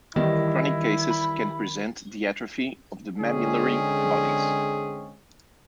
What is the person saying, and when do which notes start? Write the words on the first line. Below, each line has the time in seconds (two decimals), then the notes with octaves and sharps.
Chronic cases can present the atrophy of the mammillary bodies.
0.16 D#3 E3 G3 E4 D#5
1.11 B5
3.21 D3 G#3 C4 C#4 G#4